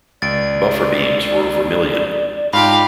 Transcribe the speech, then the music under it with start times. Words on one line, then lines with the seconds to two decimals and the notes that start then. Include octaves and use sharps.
Buffer beams were vermilion.
0.22 C#2 D5 A6 D7
2.53 G#2 F4 G4 F5 A5 B5